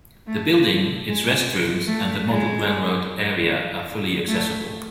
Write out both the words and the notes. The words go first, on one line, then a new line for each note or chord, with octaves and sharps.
The building, its restrooms, and the model railroad area are fully accessible.
A3
G#3
A3
G#3
A3